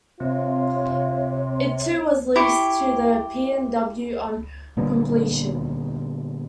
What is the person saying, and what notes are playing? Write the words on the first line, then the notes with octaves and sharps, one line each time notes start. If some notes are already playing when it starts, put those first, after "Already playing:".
It too was leased to the P and W, on completion.
C3 F4 C#5
E4 G4 C#6
A#2 D3 G3 B3